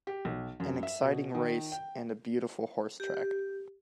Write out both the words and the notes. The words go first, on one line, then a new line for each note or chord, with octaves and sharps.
An exciting race and a beautiful horse track.
G4
B1
F#2
E5
B2
D#3
G5
G4